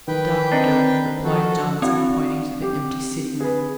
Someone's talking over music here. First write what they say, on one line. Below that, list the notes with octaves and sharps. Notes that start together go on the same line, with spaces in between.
"The Doctor!" replied Johnson, pointing to the empty sitting-room.
D#3 B4 G5
C4 D4 D#4
F3 F#4 A4
C4 D4 E4 F#4
G4
G#4 B4